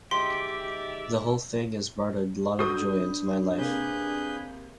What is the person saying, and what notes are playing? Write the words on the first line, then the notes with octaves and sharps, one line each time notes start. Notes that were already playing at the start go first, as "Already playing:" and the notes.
The whole thing has brought a lot of joy into my life.
D2 G#3 D#4 G4 D5 E5 C6
D4 F#4 A4 B4 D#6 G6
C3 A#3 G#4 B4 G6